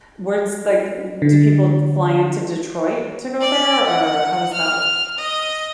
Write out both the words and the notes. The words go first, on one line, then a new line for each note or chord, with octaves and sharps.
What's like do people fly into Detroit to go there or how does that work?
D3
D5
F#5
F6
D#5